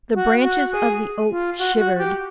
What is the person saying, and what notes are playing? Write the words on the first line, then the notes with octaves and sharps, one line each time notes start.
The branches of the oak shivered.
F#4
F#4
G#4
F4
F#4
F#4
G4